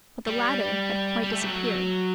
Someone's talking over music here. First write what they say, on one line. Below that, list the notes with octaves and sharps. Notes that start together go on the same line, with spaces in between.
But the ladder had quite disappeared.
G3
G3
A3
F#3